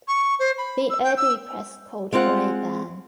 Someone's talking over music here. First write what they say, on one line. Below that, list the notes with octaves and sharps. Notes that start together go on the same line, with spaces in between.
The Urdu press called for a ban.
C#6
C5
B5
E6
G5
E6
G#3 C4 F4 F#5